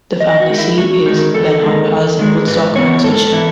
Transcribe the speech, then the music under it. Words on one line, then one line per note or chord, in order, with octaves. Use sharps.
The family seat is Blenheim Palace in Woodstock, Oxfordshire.
E2 D#5
F#4
D#3 G#3
E4
E2 F#4
D#3 G#3
E2 A4
D#3 G#3
E2
D#3 G#3
G#2 B4
E3 B3 E4 C#5
G#2 A4
E3 B3 E4